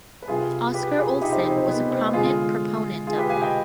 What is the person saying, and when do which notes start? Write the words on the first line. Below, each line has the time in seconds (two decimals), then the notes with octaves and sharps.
Oscar Olsson was a prominent proponent of them.
0.22 B4
0.28 C3 G3 F4 G#4
0.74 G4 B4
0.97 F4 G#4
1.22 D#4 G4
1.32 C4 D#4
1.44 C4 D#4
1.56 C4
1.68 B3
1.90 C4
2.13 D3 G#3 F4 G#4
3.07 F4 G#4
3.18 G4 B4
3.29 F5 G#5
3.42 D#5 G5